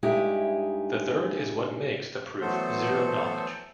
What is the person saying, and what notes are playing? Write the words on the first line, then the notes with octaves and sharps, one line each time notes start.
The third is what makes the proof zero-knowledge.
G2 G#3 D#4 E4 G4
E3 F#3 A3 B3 A4 C5